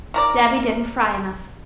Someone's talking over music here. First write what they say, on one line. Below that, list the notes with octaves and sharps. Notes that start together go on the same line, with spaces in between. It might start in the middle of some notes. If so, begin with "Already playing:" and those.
Debby didn't fry enuff.
D#3 A#4 D5